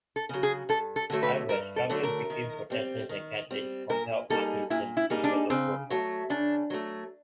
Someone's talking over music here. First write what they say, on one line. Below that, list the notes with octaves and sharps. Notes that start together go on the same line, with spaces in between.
However, struggles between Protestants and Catholics compelled Parkinson to keep a low profile.
A4
C#3 F#3
G#4
G2 A4
A4
D3 F#3 A3
B4
G2 A#4
A4
D3 F#3 A3
A#4
D#3
G3 C4
D#3
G3 C4
A#2 A#4
G3 A#3 D#4 G#4 A4
A#2 E4
E4
G3 A#3 D#4 G#4
D4
C#3 C4
F#3 A3
C#3 D4
F#3 A3